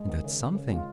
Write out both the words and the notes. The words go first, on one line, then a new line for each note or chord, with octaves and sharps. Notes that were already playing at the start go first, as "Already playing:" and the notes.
And that's something.
Already playing: G#3
D#3
C#3
C#3
C#3
G#3 F4